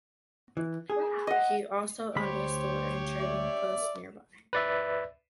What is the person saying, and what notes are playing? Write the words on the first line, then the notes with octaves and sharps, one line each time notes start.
He also owned a store and trading post nearby.
E3
G#4
D#5 F#5
D2 G4 C5 C#5 B5
D5 E5
B4 D5 E5